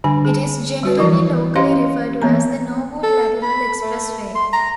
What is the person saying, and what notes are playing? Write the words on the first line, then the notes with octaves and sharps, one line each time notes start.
It is generally locally referred to as the Norwood Lateral Expressway.
D3 G3 D4 G#5
G#4 A5
G3 F#4 B4
E3 F3 E4 A#4
C#4 G4 C5 D#5 F5 C6
E3 A#3 B3 A#5
A4
B5
A3
C6
A#5